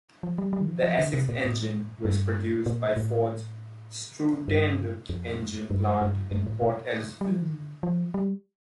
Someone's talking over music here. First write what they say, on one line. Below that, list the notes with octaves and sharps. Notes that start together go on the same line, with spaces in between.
The Essex engine was produced at Ford's Struandale engine plant in Port Elizabeth.
F3
G3
G3
D#3
F3
F3
D3
C3
A#2
A2
G2
A#2
A2
G2
F2
G2
G2
G2
A2
A#2
G3
F3
D#3
D3
F3
G3